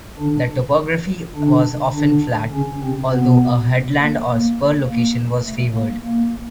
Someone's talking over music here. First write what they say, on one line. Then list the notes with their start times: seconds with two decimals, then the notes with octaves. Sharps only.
The topography was often flat, although a headland or spur location was favoured.
0.19 D3 D4
1.36 D3 D4
1.94 D3 D4
2.53 C#3 C#4
2.83 C3 C4
3.12 B2 B3
4.00 A#3
4.29 A#3
4.88 A#3
5.46 A3
5.75 A#3
6.04 A#3